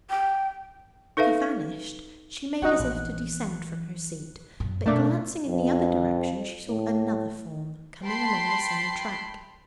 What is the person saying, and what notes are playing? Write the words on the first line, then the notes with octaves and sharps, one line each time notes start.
As he vanished, she made as if to descend from her seat; but glancing in the other direction she saw another form coming along the same track.
G5
D#4 A4 B4 E5 F5
E3 D#4 F#4 F#5
A#1 F#6
F#2 A#2
B2 A3 A#3 D4
F2
A2
G5 A5 B5 C6 C7